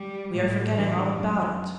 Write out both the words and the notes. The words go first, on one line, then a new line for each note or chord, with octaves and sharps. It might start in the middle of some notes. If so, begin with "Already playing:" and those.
We are forgetting all about it.'
Already playing: G3
A2 G3
A2 E3 G3 D4
F#2 F#3 A3